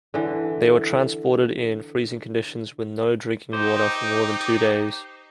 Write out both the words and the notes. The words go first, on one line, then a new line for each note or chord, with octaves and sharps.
They were transported in freezing conditions with no drinking-water for more than two days.
D3 E3
D#4 G4 C5 D6